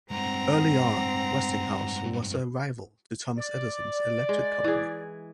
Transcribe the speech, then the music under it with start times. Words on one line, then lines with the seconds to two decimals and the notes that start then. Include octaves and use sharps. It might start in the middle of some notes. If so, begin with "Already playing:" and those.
Early on Westinghouse was a rival to Thomas Edison's electric company.
0.11 G2 G#3 C4 F#5 A#5
3.38 D5
4.29 G#3
4.64 E3 G#4